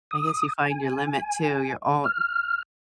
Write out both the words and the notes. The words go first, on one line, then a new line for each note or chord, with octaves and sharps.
I guess you find your limit, too, you're all
D#6
G#5
F6